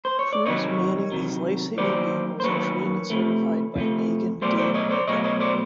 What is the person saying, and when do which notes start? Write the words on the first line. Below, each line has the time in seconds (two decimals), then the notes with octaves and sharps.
Crews manning these lifesaving vehicles are trained and certified by Magen David Adom.
0.05 C5
0.19 C#5
0.33 D5
0.46 C3 D#3 F#3 C#5 D#5
1.12 C3 D#3 F#3
1.78 D#3 F#3 A#3 C5 D5
2.40 C5
2.44 D#3 F#3 A#3 B4 C#5
3.10 C3 F3 A3
3.76 C3 F3 A3
4.42 B2 F#3 A3 C5 D5
4.58 C5 D5
4.74 C#5 D#5
4.90 C5 D5
5.08 B2 F#3 A3 C#5 D#5
5.24 C#5 D#5
5.40 C5 D5